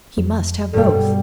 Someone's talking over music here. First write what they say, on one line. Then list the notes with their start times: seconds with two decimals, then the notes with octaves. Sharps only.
He must have both.
0.18 F2
0.73 G2 B2 G3 A4